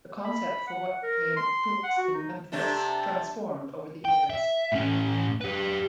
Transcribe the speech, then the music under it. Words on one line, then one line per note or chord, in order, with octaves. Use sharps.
The concept for what became "Toots in Memphis" transformed over the years.
B5
F#5
A#4
C6
F#5
F#4
D#4
C3 A3 D4
G5
E5
A2 C#4
G4 B4